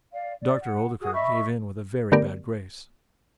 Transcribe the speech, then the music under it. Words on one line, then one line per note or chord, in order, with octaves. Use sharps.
Dr. Oldacre gave in with a very bad grace.
D5 F5
D5
F#5
F#4 G#4 D#6
D#5 E5 B5 C#6
D3 A3 B3 G4 A#4 D5